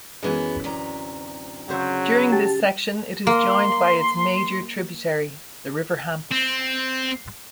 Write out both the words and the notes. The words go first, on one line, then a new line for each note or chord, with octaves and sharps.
During this section it is joined by its major tributary, the River Hamps.
F#2 E3 F#3 G#3 B3
D2 C3 A#5
C#3 F#3 C5 E5
G4 A5
A#3 C6
C4